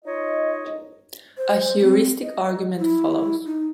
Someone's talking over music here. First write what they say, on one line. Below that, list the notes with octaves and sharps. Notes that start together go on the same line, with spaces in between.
A heuristic argument follows.
D#4 F4 C#5 D#5
C5
C4
D#5
E4
D#4